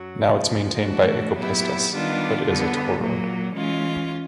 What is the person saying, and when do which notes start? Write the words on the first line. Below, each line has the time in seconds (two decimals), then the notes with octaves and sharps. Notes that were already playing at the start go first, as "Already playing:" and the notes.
Now it's maintained by Ecopistas, but is a toll road.
Already playing: F#2 F#3
0.28 D2 C#3 F3 G#3
0.84 A2 E3 A3 D4 F#4
1.38 A#2 F#3 B3 E4 G4
1.92 D#3 G3 B3 D4 F4
2.47 D3 G3 B3
3.01 A#2 F#3 A#3
3.56 E3 G#3 C#4 F4